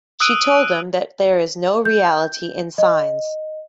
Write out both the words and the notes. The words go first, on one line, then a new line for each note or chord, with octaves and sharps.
She told them that there is no reality in signs.
D#6 E6 F#6 D7 D#7
G6
D#5